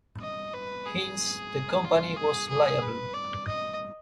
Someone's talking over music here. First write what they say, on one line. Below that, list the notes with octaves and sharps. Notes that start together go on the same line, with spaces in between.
Hence, the company was liable.
D#5
B4
G#4
F4
G#4
G#4
B4
D5
D#5